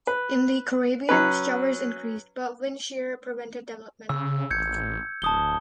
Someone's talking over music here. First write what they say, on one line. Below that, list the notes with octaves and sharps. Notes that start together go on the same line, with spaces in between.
In the Caribbean, showers increased, but wind shear prevented development.
B4
F#3 C#4 B4
C#3 E6
A1 G6 G#6 C#7
D1 A5 D#6 G7